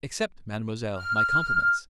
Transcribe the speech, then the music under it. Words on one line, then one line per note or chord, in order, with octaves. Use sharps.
Accept, mademoiselle, my compliments.
F6